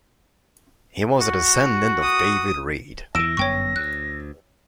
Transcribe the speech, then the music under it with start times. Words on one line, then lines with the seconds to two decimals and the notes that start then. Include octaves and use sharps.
He was a descendant of David Reed.
1.20 F#4
2.02 D#6
3.15 E2 E3 E6 A#6 D7 E7
3.37 G1 F#2 B3 C#5 G5 C#6
3.76 D2 F#6